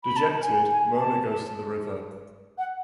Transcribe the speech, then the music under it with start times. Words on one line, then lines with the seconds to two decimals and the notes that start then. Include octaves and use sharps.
Dejected, Mona goes to the river.
0.04 B5
0.16 A5
0.42 G#5
0.70 G#5
0.96 A5
2.58 F#5